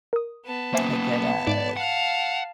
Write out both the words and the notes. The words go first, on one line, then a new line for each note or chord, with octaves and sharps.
a good, uh,
A#4 D#6
B3 A5
A#3 C#4 C5 E5 G#5
G#2 D5
F5 F#5 A5